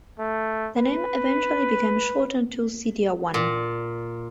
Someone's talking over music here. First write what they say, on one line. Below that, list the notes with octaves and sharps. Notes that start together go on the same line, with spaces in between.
The name eventually became shortened to "Sitiawan".
A3
B4
A#2